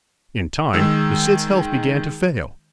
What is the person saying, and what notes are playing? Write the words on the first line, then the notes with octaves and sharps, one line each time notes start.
In time the Cid's health began to fail.
D#3 G#3 E6